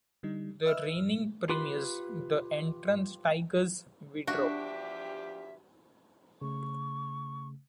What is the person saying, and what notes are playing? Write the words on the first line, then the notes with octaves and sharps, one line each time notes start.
The reigning premiers, The Entrance Tigers withdrew.
D3 G3 D#4
B4 D#5 E5 E6 F6
F4 G4 B4 B5 C6
E2 F3 D4 F#4 G4 E5
C#3 A3 C#6